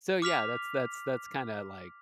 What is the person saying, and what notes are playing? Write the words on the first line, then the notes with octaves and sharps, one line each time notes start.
so, yeah, that's that's that's kinda, like,
D6 F6 B6 F7